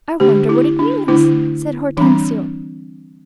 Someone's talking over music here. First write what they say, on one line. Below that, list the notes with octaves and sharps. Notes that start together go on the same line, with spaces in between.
"I wonder what it means," said Hortensio.
D3 A3 D4 G4
E4
D4
D3 A3 D4 E4
E3 G3 C4 D4